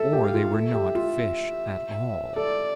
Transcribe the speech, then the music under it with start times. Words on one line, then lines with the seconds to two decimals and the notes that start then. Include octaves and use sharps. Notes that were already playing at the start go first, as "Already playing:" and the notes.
Or they were not fish at all.
Already playing: A4 E5
0.13 G4
0.24 F5
0.34 F4
0.54 A4 E5
0.74 G4
0.95 F4
2.36 A4 D5